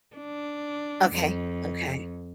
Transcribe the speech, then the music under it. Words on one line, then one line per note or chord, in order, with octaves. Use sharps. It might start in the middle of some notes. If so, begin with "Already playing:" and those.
Okay, okay.
D4
F2